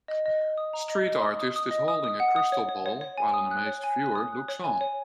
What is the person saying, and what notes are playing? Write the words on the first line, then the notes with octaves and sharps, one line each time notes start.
Street artist is holding a crystal ball, while an amazed viewer looks on.
D#5
D#5
D#5
D#6
A#5
D#5
D#5
D#6
D#6
D#6
D#5
D#6
D#6
F#5
D#6
C#5
C#5
C#5
C#5
G#5
D#6
F#6
C#5
G#5
F#6
D#6
F#6
C#5
G#5
C#5